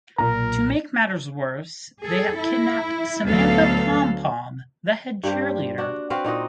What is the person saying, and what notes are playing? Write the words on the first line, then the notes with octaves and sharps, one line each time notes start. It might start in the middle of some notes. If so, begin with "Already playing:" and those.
To make matters worse, they have kidnapped Samantha Pompom, the head cheerleader.
B1 A#2 A#4 A#5
G#4 A4
E4
D2 F#3 B3 A4 F5
G2 G3 A#3 C5
D4 F#4
C4 F#4 B4 F5
A#2 D#4 F#4 D#5